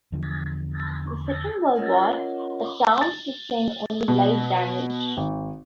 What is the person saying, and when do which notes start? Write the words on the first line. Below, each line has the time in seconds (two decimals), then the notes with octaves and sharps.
In the Second World War, the town sustained only light damage.
0.12 E2 D3 F3
1.76 C#4 F4 A#4 C#5 D#5 F#5
3.01 A6
4.08 B2
5.17 G#1